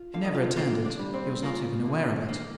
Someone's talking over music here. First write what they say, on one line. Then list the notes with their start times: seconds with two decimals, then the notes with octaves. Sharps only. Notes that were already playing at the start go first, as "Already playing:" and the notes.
He never returned it--he was not even aware of it.
Already playing: F4
0.14 D3 F5
0.24 D#5
0.35 F4 F5
0.56 A#3 F4 F5
0.85 D4 D5
0.99 G3
1.14 C4 C5
1.42 A#3 F4 A#4
1.85 D3
2.29 A#3